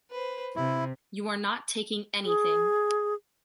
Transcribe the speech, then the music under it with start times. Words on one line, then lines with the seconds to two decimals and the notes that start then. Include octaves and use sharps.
You are not taking anything!
0.11 B4 C5
0.56 C3 E4
2.25 G#4